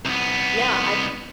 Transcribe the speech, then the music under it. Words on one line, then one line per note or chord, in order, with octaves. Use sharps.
Yeah I've
C2 B3